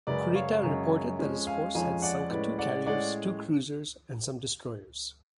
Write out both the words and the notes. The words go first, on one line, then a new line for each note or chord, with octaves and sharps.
Kurita reported that his force had sunk two carriers, two cruisers, and some destroyers.
F#2 C#3 G#3 C#4 B4 D5
D5
C#5 F5
F#2 C#3 G#3 C#4
F2 F3 G#3 C#4
F5 G#5
F2 F3 G#3 C#4 F5 G#5
D5 F#5
A2 G#3 C#4 B4 D5
D5 F#5
A2 G#3 C#4 D5 F#5